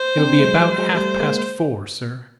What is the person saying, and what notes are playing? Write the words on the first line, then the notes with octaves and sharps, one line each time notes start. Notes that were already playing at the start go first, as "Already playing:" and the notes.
"It'll be about half-past four, sir."
Already playing: C5
C4 D4
A3
F#3 G#3
F#3 G#3
F#3 G#3
G3 A3 C5
G#3 A#3